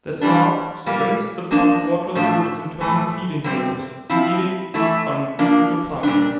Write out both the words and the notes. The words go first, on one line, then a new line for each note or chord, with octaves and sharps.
The salp strains the pumped water through its internal feeding filters, feeding on phytoplankton.
E3 G3 D4
A#2 G3 A#3
F3 A#3 D4
A2 F3 A3 D4
A2 E3 A3
C3 G3 C4
F3 C4 E4
E3 A3 E4
F3 A#3 D4
A#2 G3 D4